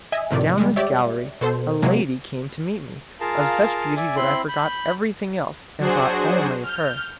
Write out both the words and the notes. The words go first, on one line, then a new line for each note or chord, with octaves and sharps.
Down this gallery a lady came to meet me, of such beauty that I forgot everything else, and thought only of her.
D#5 E5 G#5
F2 A2 C3 D#3 D5
G3 G#3
G4 C#5 D5 E5
B2 A4 C5
C3 F#3 G#3 A#3
F4 G#4 A#4 F5 A5 A#5
D5 E5 G#5
C4 E4 B5 C6
B5 G6
F#3 D4 F#4 G#4 C5
F6 G6